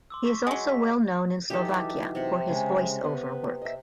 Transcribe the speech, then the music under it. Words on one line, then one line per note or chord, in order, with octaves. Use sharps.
He is also well known in Slovakia for his voice-over work.
C6 D6 E6
C#6 B6
F#3 G#3
B6
E3 F#3 D#4 G4 A4
C3 F#5
C#3 G#3
B3
D#5 E5